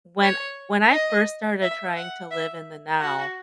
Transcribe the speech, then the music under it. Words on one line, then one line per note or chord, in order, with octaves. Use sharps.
when when I first started trying to live in the now,
C#5
D#5
E5
F#5
E5
F#4